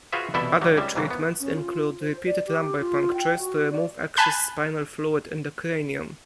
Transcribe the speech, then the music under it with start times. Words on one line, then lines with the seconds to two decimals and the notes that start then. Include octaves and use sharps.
Other treatments include repeated lumbar punctures to remove excess spinal fluid in the cranium.
0.13 F4 F#4 G#4 B4 C5 E5
0.34 C2 B2 E3 E4 A4 E5
0.61 D2 E3 F#3 G3
0.77 C#2 G3 G#3 E5
0.95 G#2 C3 E3 F#3 A#3
1.11 B3
1.40 C#4
1.54 F4
2.01 C5
2.26 D5
2.46 G4
2.79 F4
3.14 G5
3.38 F#4
3.71 D5
4.17 G#5 A5 B5 F#6 G6